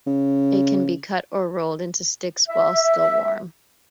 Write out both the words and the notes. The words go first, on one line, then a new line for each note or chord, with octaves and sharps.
It can be cut or rolled into sticks while still warm.
C#3
E5